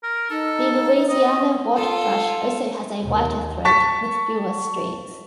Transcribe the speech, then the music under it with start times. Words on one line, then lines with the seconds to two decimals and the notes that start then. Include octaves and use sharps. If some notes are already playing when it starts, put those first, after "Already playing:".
The Louisiana waterthrush also has a whiter throat with fewer streaks.
0.03 A#4
0.30 D#4 A4
1.09 C4 D#5
1.75 F4 A4
3.02 D#2
3.65 A5 C#6 A6 B6